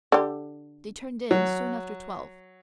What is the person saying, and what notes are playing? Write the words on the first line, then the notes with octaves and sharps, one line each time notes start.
They turned in soon after twelve.
D3 G4
F#3